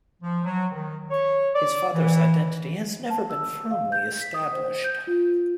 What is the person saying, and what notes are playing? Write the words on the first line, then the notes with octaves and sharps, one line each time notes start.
His father's identity has never been firmly established.
F3
F#3
D#3
C#5
D5
E3
A5
E6
F5
G6
B6
D#6
C5
G6
F4